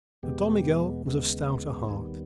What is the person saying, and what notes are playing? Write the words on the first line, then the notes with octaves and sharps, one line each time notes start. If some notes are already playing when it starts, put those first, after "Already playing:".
But Don Miguel was of stouter heart.
E2 B2 G#3 B3 G4
D#2 C#3 G#3 B3
D#2 D#3 G3 B3 G#4